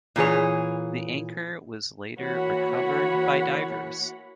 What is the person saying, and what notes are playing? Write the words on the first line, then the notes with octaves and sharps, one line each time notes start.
The anchor was later recovered by divers.
A#2 E3 G#4 C#5
E3 A#3 F#4 C#5 F#5 B5